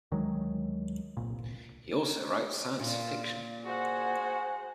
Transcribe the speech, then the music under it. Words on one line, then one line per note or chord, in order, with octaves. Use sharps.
He also writes science fiction.
D2 D#3 F#3 G#3
D1 G1 C2 A#2
A#2 F4
F#4 G#4 C5 F#5